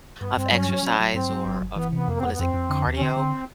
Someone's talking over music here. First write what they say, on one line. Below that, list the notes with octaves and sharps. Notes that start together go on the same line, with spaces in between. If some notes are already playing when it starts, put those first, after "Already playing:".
of exercise or of, what is it, cardio,
G2 B3
G2 C4
F#3 C#4
F#3
F#3
F#3
G2 C4
F#3
G1
G1
E3 B3
C3 B3
F2 A#3
C4
F2 B3
B3
F2 C4
F2
D3
D#2
C#4
D3 C4
D3